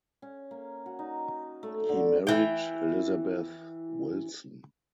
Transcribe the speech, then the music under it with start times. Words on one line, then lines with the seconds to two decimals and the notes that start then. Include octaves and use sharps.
He married Elizabeth Wilson.
0.22 C#4
0.51 A#3
0.86 F#4
0.99 D#4
1.63 A3
1.89 D3
2.27 E3 G5